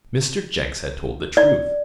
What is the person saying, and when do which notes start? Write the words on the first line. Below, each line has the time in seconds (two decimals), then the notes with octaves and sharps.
Mr. Jenks had told the truth.
1.37 D5